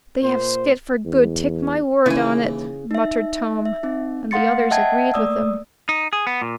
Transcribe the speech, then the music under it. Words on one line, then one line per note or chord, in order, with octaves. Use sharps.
"They have skipped for good, take my word on it," muttered Tom, and the others agreed with him.
A#2 C5
E2
D#2 C#3 E3 E4 B4 G#5
D#4 E5
E5
C4 D#4
A3 F5 F#5 C6 A6 C#7
D#5 E5 F#5 G5 A5 G#6
A3 A#3 D5 D#6 E6
D#4
G#4
B3
A#2